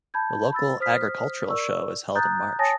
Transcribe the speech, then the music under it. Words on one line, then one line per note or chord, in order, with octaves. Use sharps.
The local agricultural show is held in March.
A5 B5 G6 G#6
B5 E6 A6
C5 D#6 F6 B6
A#4 D5 C#6 E6
A#5 D#6 F#6 G6 A6
C#5 G#5 A5 D#6 A6 A#6